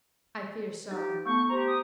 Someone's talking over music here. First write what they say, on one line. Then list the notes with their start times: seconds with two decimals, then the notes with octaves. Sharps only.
"I fear so."
0.91 D#4 G4
1.26 A3 B3 A4 C#6
1.49 G4 C5 A#5
1.67 D#6